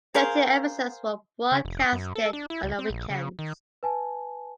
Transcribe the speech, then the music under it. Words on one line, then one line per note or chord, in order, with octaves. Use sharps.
Thirteen episodes were broadcasted on the weekends.
G#4 A#4 C5 F5
C#3
F1
F#2
A4
D4
E4
C#2
C4
A#1
C#3
D#3
B4 G#5 A5